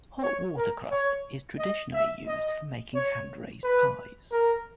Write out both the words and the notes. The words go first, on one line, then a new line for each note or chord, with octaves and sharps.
Hot water crust is traditionally used for making hand-raised pies.
C#5
A#4
C#5
D#5
E5
D#5
C#5
B4
A#4